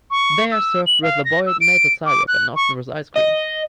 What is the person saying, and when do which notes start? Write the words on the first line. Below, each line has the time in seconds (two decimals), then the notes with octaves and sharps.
They are served with the boiled maple syrup and often with ice cream.
0.11 C#6
0.51 E6
0.86 F#7
1.03 F5
1.25 A#6
1.46 E6
1.61 D7
2.06 D6
2.28 F#6
2.56 C#6
3.16 D#5